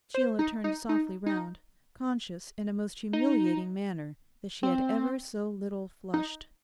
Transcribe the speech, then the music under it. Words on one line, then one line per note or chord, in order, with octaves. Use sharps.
Sheila turned softly round, conscious in a most humiliating manner that she had ever so little flushed.
C5
D#4
D#4
D#4
D#4
D#4
C4
D#4